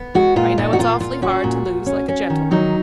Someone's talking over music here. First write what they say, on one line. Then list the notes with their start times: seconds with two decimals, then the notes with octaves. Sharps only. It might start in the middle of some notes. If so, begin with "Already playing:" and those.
"I know it's awfully hard to lose like a gentleman."
Already playing: B3
0.15 G#3 F#4
0.36 A#2 F4
0.58 A#2 D#4
0.73 F#4
0.79 A#2 F4
1.00 A#2 F4
1.22 C#4 F#4
1.44 A#2
1.66 A#2
1.86 C#4
2.08 C#4
2.30 D#3
2.51 F#3 D#4